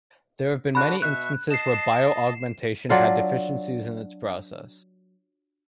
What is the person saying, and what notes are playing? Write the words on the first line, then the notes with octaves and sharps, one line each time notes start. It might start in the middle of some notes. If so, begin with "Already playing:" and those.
There have been many instances where bioaugmentation had deficiencies in its process.
D3 D4 F#4 B5 F#6
B2 E5 C#6 F#6
D#5 A5 C7 E7
F#3 D4 F4 A4